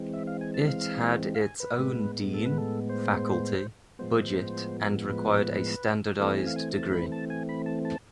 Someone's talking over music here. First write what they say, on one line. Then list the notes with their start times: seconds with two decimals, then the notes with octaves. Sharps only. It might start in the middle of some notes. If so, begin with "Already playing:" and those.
It had its own Dean, faculty, budget and required a standardized degree.
Already playing: E3 G#3 C4
0.13 E5
0.27 F5
0.41 G#5
0.54 A5
0.68 F5
1.35 F5
1.41 G#5
1.60 B4
1.79 A2 G#3 B3
2.34 A4
2.46 B4
2.58 A4
2.89 C5
3.99 A2 F3 G#3 B3 C5
5.09 B4
6.19 E3 A3 C4 A4
6.38 G#5
6.47 F5
6.56 G#5
6.75 A5
6.93 B5
7.12 A5
7.30 G#5
7.49 B5
7.66 A5
7.85 A5